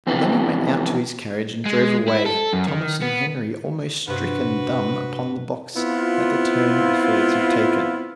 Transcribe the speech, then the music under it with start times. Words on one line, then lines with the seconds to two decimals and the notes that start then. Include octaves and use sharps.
And then he went out to his carriage and drove away, Thomas and Henry almost stricken dumb upon the box at the turn affairs had taken.
0.07 F2 C3 E3 B3
1.66 G#3
2.08 E4
2.26 A4
2.53 F#2
2.67 D#3
3.02 B3
4.07 G2 C3 F#4 B4
5.76 B3 C4 E4 F4